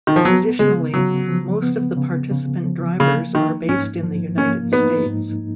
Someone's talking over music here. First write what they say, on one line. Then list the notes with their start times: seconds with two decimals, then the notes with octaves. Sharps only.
Additionally, most of the participant drivers are based in the United States.
0.07 D#3
0.16 F3
0.25 F#3 B3
0.59 C#3 G#3
0.93 C#3 F#3
1.28 F3
1.62 B3
1.97 C#3
2.31 C#3
2.66 F3
3.00 C#3 A#3
3.35 D#3 D#4
3.69 G#2 C#4
4.03 F3
4.38 A#3 C#4
4.72 B3 D#4
5.06 G#2